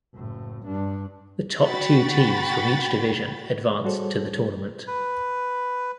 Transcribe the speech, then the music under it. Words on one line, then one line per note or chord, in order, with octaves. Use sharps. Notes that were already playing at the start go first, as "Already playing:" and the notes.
The top two teams from each division advanced to the tournament.
F#1 A2
G2 D4
F#4 G5 B5 A6
G3 F#4 G#4 A4 C5 C#5
B4